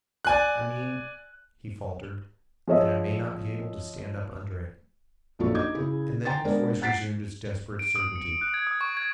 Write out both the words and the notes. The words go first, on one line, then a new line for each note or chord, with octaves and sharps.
'I mean,' he faltered, 'that I may not be able to stand up under it.' And then his voice resumed its desperate certainty.
D5 G#5 F#6
F3 G#4 C#5 D#5 E5
A#1 F#2 F3 D4 A4 C#6
D#4 D#5 D6 G6 G#6
C#3 E4 G#4
G5 G#5 A#5 C6 A6
G#3 B3 D4 A#4 C5 D5
F#5 F#6 A6 B6 C7 D7
D7
D#6
C#7
F#6
G#6
D#6
C#6
G#6